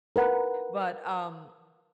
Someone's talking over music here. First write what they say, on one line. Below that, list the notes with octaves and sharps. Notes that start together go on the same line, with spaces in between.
but, um,
A#4 B4 F#5